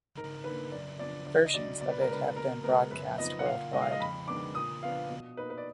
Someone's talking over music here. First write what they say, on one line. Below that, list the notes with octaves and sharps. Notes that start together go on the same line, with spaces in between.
Versions of it have been broadcast worldwide.
G#2 A#4
D#3 A#3 D4 B4
F#2 D5
F3 B3 D4 D5
D2 D5
D#5
D3 F#3 D5
B2 D5
B4
A#4
G#3 D4 B4
B2 A#4
G#3 B3 A#4
F#2 B4
F3 B3 D#4 D#5
F#5
A#2 F5
G#3 D#4 D#5
F5
D#5
F2 B5
D#3 G#3 B3 D4 D6
A#2 D#6
F3 B3 D4 F5
B2
A#3 D#4 B4
B4
D5